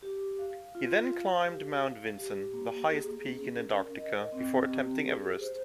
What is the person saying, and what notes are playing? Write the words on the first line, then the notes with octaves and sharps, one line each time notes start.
He then climbed Mount Vinson, the highest peak in Antarctica, before attempting Everest.
G4
F5
F4
F5
G4
F5
G4
A#3
G#4
C#4
A#4
D#5
C4
G4
G#4
C5